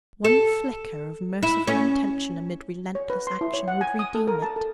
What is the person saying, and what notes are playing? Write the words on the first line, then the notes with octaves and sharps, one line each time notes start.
One flicker of merciful intention amid relentless action would redeem it.
A4
E4
C#4
C#5
B4
C6
E4
C#5
F#5
G#5
D#6
A4
A#4
A5
A4